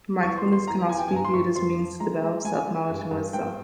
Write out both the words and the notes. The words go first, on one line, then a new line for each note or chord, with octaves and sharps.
Mindfulness can also be viewed as a means to develop self-knowledge and wisdom.
E2 C#6
C6
G3
C6
E2 A#5
E2 G#5
G5
G#5
G2 A#5
C6
G2 C#6
F2 C6
F3
G#3 A#5
G#3
G#3 G#5
G#3
G2
G2
G#2 G5